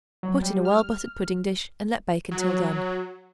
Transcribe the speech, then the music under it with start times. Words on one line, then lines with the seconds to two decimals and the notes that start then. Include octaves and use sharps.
Put in a well-buttered pudding-dish, and let bake until done.
0.23 F#3
0.42 G3
0.65 F6
0.77 F6
2.31 F#3